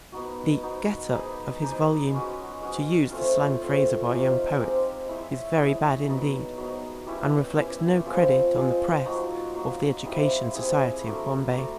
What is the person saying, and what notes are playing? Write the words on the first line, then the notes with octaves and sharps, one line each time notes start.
The 'get-up' of his volume, to use the slang phrase of our young poets, is very bad indeed, and reflects no credit on the press of the Education Society of Bombay.
B3 D#4 F#4
B3 D#4 F#4
D#4 G#4 B4 D5
D#4 G#4 B4 D5
G#3 C#4 F#4
G#3 C#4 F#4
A3 C4 F4
A3 C4 F4
G#3 C4 D#4 G4
G#3 C4 D#4 G4
E4 G#4 C#5 E5
E4 G#4 C#5 E5
F#3 B3 D#4
F#3 B3 D#4
C#4 E4 G4
C#4 E4 G4
F3 G#3 C4
F3 G#3 C4
F#3 A#3 D#4 F#4
F#3 A#3 D#4 F#4
G3 C4 E4 G#4
G3 C4 E4 G#4
A3 D4 F#4 A#4
A3 D4 F#4 A#4